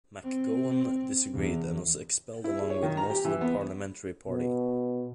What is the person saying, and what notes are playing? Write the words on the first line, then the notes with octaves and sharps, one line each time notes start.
McGowen disagreed and was expelled along with most of the parliamentary party.
C4
E2
E4
G#4
C#5
D#3
A#5
G4
E3
B3
B2